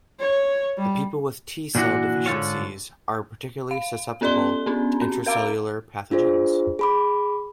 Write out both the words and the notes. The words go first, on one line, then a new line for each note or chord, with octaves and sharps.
People with T cell deficiencies are particularly susceptible to intracellular pathogens.
C#5
G3
A#2 E3 D4 F#4
G#2 D3 F4 C#5
F5
B3 C#4 A4 D5 C6 G7
B3 C#4 D4
C4
A#4 F5 A#5 D6 D7
D4 F4 G#4 C5
G#4 B5 D6